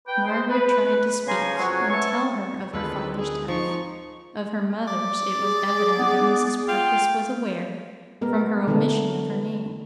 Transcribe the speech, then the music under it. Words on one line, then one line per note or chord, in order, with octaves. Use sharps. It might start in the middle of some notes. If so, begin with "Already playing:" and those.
Margaret tried to speak and tell her of her father's death; of her mother's it was evident that Mrs. Purkis was aware, from her omission of her name.
B4 G5
G#3 C5
B4
C#3 F3 C#4 G#5 A#5 C6
F2 F#3 C#4 F#4 G#5
B4 C#5 E5 A5 C#6
D2 D#3 G#3 C4 F4 A4 B4
G#4
F3 D#4 C#6
D5
G#4
B3
F4 G5
G#3 B3 A#4
D3 E3 A3 B3 D4